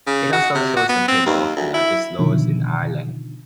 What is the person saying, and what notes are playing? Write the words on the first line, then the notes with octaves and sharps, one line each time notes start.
It also shows a table of the largest loughs in Ireland.
C#3
F#4
C3
F#4
B3
C4
D#2
D2
E4
B2 D3 D#3 F3